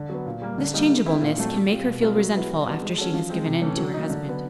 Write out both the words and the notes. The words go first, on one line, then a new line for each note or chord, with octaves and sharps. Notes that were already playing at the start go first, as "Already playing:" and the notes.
This changeableness can make her feel resentful after she has given in to her husband.
Already playing: D3
F#3 B3
A#2
G3 A#3
D3
G3 A#3 D#4
G#3
C4 E4
A#2
F#3 A3 C4
G3
C4 F4
B2
G3 C4 F4 A#4
F#3
B3 E4
G3
B3 D4 F#4
G#3
C#4 F#4 A4
F3
G#3 C4
C3
E3 A3 C#4
F#3
A#3 D#4
D3
F#3 B3